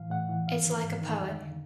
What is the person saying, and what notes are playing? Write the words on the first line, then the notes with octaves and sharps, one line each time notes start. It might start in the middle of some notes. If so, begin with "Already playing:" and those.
It's like a poem.
Already playing: A2 E3 F5
A2 F#5
E3
G#2 F5
D#3
G#2
D#3
F2
D3